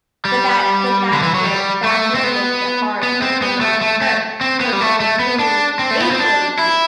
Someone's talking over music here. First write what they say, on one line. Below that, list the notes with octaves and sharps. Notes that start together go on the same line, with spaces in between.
but that but that's the that's what makes it hard for someone like her, for someone who is lazy
G3
D3
E3
F#3
G3
A3
C4
B3
B3
C4
B3
A3
A3
A3
C4
B3
G3
A3
A3
B3
D4
C4
A3
B3
C4
D4
E4